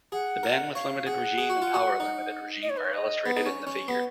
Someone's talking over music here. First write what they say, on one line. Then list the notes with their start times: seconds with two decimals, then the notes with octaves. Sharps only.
The bandwidth-limited regime and power-limited regime are illustrated in the figure.
0.12 G#4 F#5
0.43 A#4
0.75 C#5 F5
1.06 G#4 F#5
1.38 G#4
1.50 F#4
1.62 F4
1.74 F#4
2.00 D#4
2.62 D#5
2.70 C#5
2.77 B4
2.84 C#5
2.94 D#5
3.26 B3
3.37 D#4
3.46 C#4
3.67 C#4
3.88 B3